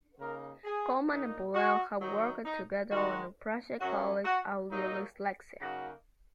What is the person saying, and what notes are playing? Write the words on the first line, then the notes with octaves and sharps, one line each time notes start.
Coleman and Puleo have worked together on a project called Audio Dyslexia.
C#3 A#3 D#4 A#4
G#4
A#2 A#3 D#4
F#4
D#3 F#3 D#4
D#4
D#3 G#3 D#4 F#4
F#2 F#3 C#4 F#4
F#4
A#2 F#3 A#3 D#4
F#2 C#3 A#3 D#4 F#4